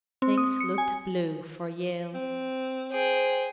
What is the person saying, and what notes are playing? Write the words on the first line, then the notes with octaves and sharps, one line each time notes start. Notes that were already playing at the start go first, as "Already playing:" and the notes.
Things looked blue for Yale.
C4
D#6
C#7
G#5
C4
G#4 C5 G5